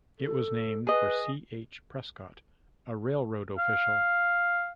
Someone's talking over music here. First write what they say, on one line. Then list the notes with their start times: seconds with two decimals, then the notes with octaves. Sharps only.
It was named for C. H. Prescott, a railroad official.
0.19 A4
0.87 G#4 B4 D#5
3.59 F5